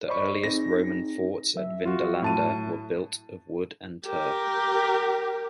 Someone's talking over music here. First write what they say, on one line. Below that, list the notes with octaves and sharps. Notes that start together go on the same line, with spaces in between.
The earliest Roman forts at Vindolanda were built of wood and turf.
C5 D5 D#5 B5 C#6
C4 D#4 G#4 A#6
F#3 E5
F4 F#4
A2 A5 D#7
G4 A#4